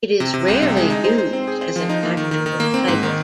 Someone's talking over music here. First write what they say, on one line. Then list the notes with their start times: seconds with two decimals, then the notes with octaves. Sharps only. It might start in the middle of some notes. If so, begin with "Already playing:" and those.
It is rarely used as an actual title.
0.20 C3
0.34 C3
0.48 C2
0.62 C3
0.77 G#3
0.90 D#4
1.04 C5
1.18 C5
1.33 C4
1.47 G#4
1.61 C5
1.76 F3
1.89 D#4
2.03 A#3
2.17 D#3
2.31 D#3
2.46 D#3
2.60 A#3
2.74 C4
2.88 G#2
3.03 D#3